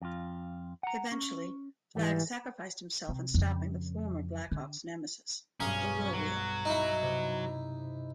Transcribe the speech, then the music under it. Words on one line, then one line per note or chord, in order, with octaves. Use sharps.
Eventually, Flag sacrificed himself in stopping the former Blackhawks' nemesis, the War Wheel.
F2 F4
F#5 A#5
C#4
G#2 E3 G3
C3
F2 C#3
D3
B1 G2 C#4 F5 A#5 D#6
F#3
D#4 E4
C3